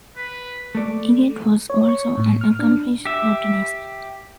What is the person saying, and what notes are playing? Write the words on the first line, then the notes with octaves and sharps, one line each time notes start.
Egede was also an accomplished botanist.
B4
A3 D5
C#5
C#6
A2
F6
D4
G4 E5